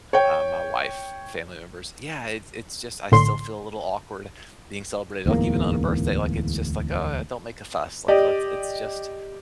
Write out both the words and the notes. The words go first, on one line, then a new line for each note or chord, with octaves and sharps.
uh, my wife, family members. Yeah, it's it's just I still feel a little awkward being celebrated, like, even on a birthday, like, it's just, like, oh, don't make a fuss, like, let's, it's just,
C#5 G5
A#1 A2 D3 C6
D1 E2 G#2 A#3
G4 D5 D#5